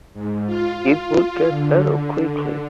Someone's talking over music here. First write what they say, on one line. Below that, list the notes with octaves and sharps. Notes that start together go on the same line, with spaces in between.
It will get better quickly.
G#2
F4
D3